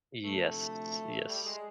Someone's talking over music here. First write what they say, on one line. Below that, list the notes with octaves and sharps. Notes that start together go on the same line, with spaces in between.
Yes, yes.
D2 C3 F3 A3
G3
G#3